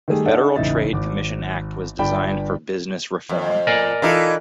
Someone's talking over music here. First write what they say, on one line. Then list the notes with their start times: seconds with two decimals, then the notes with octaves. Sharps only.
The Federal Trade Commission Act was designed for business reform.
0.08 D#3 G3 A3 G#4
0.25 D4 D#4 A4 E5 F#5
0.56 E1 A1 C#3 D#4 E5 A6
0.93 G#1 D6
1.99 G1 G2 D5 G5 B5
3.29 F2
3.67 A#4 D5 G#5
4.02 E3 D#4 F4 A4 D#5